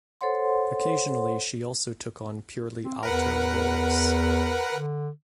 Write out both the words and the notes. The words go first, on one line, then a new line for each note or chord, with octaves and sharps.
Occasionally she also took on purely alto roles.
A4 C5 C#5 F#5 C6
C4
E2 A#4 B4 F#5
D3